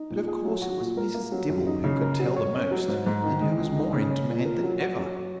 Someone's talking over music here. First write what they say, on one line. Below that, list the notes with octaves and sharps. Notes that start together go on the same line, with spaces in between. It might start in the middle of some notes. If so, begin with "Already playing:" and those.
But, of course, it was Mrs. Dibble who could tell the most, and who was more in demand than ever.
Already playing: D#4
A#2
G#4
F#3
F#4
A#2
A#4
A#3
F#3
F#2
D#4
C#3
A#4
F#3
C#5
C#4
F#3
G#2
G#2
D#3
G#3
C#2
D#4
C#3
C#4
A#2
A#4
F#3
F#4
F#3
C#5